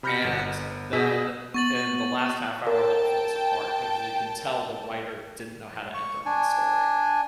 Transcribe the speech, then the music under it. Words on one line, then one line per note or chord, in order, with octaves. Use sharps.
and then in the last half hour it all falls apart because you can tell the writer didn't know how to end their own story.
C3 B5 F6 G6 A#6 C#7
G1 D7
B2 G#4 E6 B6
B3 C#6 A6 F#7
A#4 G5 A5
C#6
D4 G#5